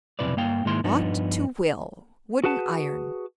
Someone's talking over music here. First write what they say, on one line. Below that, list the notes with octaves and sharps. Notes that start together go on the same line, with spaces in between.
"Ought to will!"--wooden iron!
B1 F2 C3 E4 B4 D5
G2 A#3 F5 G5
G#2 D#3 G#3 A#3 E4 C6
G2 F3 B3 D4 D#4
F#4 G#4 B4 F#5 A5